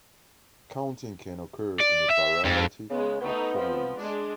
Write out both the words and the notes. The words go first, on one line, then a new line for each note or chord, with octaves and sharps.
Counting can occur in a variety of forms.
D5
E5
F2
C#3 G#3 B3
A3 B3 D#4
F3 C4
G#3 D4